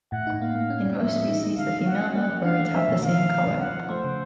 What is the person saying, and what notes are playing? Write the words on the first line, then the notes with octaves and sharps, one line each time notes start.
In most species, the female and male birds have the same color.
A2 F#5
D#4
A#3 F5
A#3
C#4
A2
F3 E5
G#3
D#4
D#4
D3 F5
D3
F#3 F#5
C#4
A#3 F#5
F#3
D4 F5
A3
F#3 E5
B2
D#3 F5
D#3
D#3
D#3
F3 F#5
F3
A3 C5
C#3